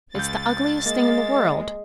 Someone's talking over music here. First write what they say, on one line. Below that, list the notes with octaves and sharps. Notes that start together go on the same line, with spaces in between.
It's the ugliest thing in the world.
C#2 G6 A6
G#3 A#3